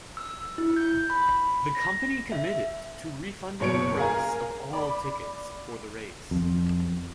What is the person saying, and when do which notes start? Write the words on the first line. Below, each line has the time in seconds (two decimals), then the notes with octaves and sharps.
The company committed to refunding the price of all tickets for the race.
0.17 E6
0.58 E4
0.76 G6
1.10 B5
1.75 A#6
2.32 E5
3.60 F#1 B2 C#5 C#7 D7
3.97 G#4 A#4 F5 G#5 A#5
4.73 D5 B5
6.31 F2